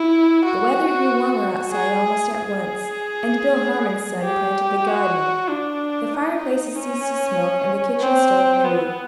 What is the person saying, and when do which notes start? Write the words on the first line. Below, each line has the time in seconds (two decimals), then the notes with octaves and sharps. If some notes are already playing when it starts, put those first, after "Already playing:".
The weather grew warmer outside almost at once, and Bill Harmon's son planted the garden. The fireplaces ceased to smoke and the kitchen stove drew.
Already playing: E4
0.44 F#4
1.71 G#4
2.35 G#4
4.23 G4
4.87 F#4
5.49 D4
6.13 D#4
6.75 C#4
8.01 C4
8.64 B3